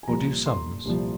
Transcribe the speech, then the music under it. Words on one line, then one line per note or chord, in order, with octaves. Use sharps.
"Nor do sums?"
G#5
C2 A#2 F3 A#5
C6
C2 A#2 F3